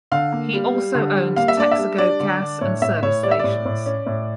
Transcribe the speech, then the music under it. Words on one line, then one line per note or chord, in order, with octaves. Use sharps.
He also owned Texaco gas and service stations.
D3 F5
A#3
G3
G3
D3
G3
A#3 F5
E5
D4 D5
E5
G3
D4 D5
D3
D4
A2 C#5
A2 E5
A2 C#5
G3 D5
E5
A2 D5
A2
C#4
A2